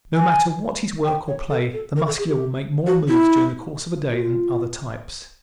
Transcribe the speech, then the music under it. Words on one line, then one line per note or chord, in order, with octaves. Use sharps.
No matter what his work or play the Muscular will make more moves during the course of a day than other types.
G#5
G5
C#5
A4
A4
A#4
A4
G#4
G4
F#4
E4
F#4
F4